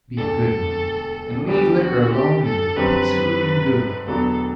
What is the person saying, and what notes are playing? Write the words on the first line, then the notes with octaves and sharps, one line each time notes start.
Be a good man, and leave liquor alone and live peaceably and goodly.
E1 D2 D3 A4
D2 D3 G3 B3 D4 G4
F#4
G4
A4
F#2 D3 G3 C4 B4
E1 E2 D3 F#3 B3 A4